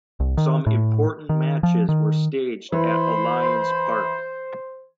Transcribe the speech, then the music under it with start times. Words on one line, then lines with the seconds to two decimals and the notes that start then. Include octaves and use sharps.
Some important matches were staged at Allianz Parque.
0.20 C2
0.37 D#3
0.67 A2
1.29 D#3
1.63 F3
1.89 D#3
2.72 E3 C5 B5